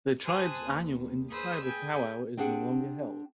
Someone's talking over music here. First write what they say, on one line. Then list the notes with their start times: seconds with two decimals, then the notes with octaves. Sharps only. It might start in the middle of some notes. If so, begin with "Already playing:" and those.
The tribe's annual intertribal powwow is no longer held.
0.24 G4 C5 G#5 A5 D#6 F#6
0.63 D#2
1.30 G#4 B4 C5 D#6 E6
1.64 G#4 B4 G5 G#5
2.37 C4 D4 G4 G#4 F#5